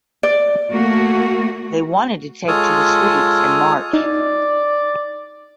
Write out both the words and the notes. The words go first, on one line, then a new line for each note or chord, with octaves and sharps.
They wanted to take to the streets and march.
D5
A3 A#3 F#4
G#3 F4 A4 C#5 D#6 F6
D#4 D5